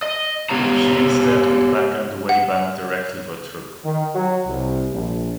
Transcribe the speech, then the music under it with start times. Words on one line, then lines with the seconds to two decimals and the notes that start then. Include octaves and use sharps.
She instead got back underway bound directly for Truk.
0.02 D#5
0.49 B3 G4 C#5 F5 A#5
2.29 F#5
3.85 D#3
4.15 F#3
4.47 C2
4.92 A#1